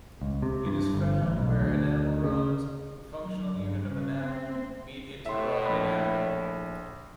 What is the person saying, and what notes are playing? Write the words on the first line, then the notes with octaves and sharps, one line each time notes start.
It is found where enamel rods, the functional unit of enamel, meet interrod enamel.
C#2
C3
G2
G1
A1
B1
D2
C#3
F#3
G2
C#3
C4
A2 E5 C6
A#1 B5